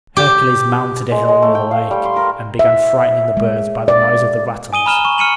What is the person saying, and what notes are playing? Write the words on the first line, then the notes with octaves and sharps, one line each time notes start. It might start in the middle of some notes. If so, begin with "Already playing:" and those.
Hercules mounted a hill near the lake, and began frightening the birds by the noise of the rattles.
G4
G#3
G#3
A3
G5
F5
G3
C6
A#4
E5
G#3
D5
G#5 D#6 D#7 G7
A#5 B5 F6 E7 G7
C#6
F6 C#7 D#7 F#7